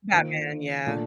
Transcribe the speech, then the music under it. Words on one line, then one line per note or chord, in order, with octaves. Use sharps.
Batman, yeah.
D#3 A#3 F4 C5
A#2 A3 D4